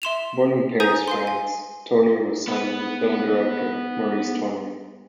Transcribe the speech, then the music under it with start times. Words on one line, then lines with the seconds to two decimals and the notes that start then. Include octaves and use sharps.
Born in Paris, France, Tourneur was the son of film director Maurice Tourneur.
0.02 E5 C6 E7 F7
0.80 B4 G#5 A#5 D#6 G6 D#7
1.08 F5 G#5 C6
1.27 G#5
2.48 B3 B4